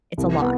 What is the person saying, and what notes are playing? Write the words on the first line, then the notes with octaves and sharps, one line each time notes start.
it's a lot.
C2
B3